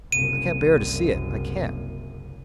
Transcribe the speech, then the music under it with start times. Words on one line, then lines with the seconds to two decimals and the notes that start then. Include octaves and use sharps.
I can't bear to see it!--I can't!
0.12 F#1 C2 F#2 D#7